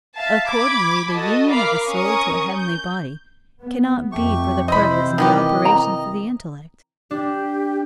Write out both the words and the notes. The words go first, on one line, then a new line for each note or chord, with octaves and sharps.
Accordingly, the union of a soul to a heavenly body cannot be for the purpose of the operations of the intellect.
E5 F5 A5
B5 D6 G#6
F#4 A4 D#5 A5
A#4 F5 B5 D6 F6 C7
C#4 A#4 C#6 D#6
G6
B3
F2 A3 G4 C#6
C3 E3 E4 C5 D#5 B5
D#3 B3 G4 D#5
A#5
D4 G4